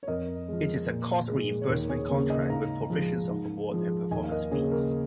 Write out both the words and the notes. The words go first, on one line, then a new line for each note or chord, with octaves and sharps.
It is a cost reimbursement contract, with provisions for award and performance fees.
C#5
F2 A#4 D#5
F3 G#3
A#2
G#3
C#5
D#2 A#4
G#4 C#5
C#3 A#3 G#4 C#5
D#5 G#5
G#2 F5 A#5
F3 G#3
G#2
F3 G#3
D#2 D#5 G#5
F5
A#4 D#5
C#3 A#3 G#4 C#5
A#4